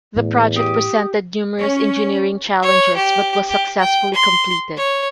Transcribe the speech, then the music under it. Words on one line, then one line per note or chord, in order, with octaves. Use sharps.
The project presented numerous engineering challenges but was successfully completed.
E2 A2
G4 D#6
C#4
C#5
G4
G4
G5
C6
C#5